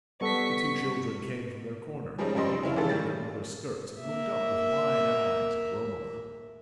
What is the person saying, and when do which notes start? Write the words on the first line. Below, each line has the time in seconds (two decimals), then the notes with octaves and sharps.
The two children came from their corner, laid hold of their mother's skirts, and looked up with wide eyes at Romola.
0.21 G3 B3 A4 C#6 B6
2.18 F3 G3 G#3 C#4 D#4 D#5
2.35 F#2 F3 G3 D#5 C6
2.62 F1 C#4 E4 F5
2.76 E3 G#3 A4
2.89 D#3 G3 A6
4.00 A#3 E5